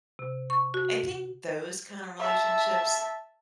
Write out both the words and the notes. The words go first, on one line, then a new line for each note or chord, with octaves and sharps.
I think those kinda relationships
C3
C#6
F#4
E5 A5